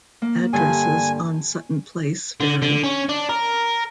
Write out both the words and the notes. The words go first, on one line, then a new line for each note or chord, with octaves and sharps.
Addresses on Sutton Place vary.
A#3
G2 D3 G#5
D3
D3
C#4
D4
A#4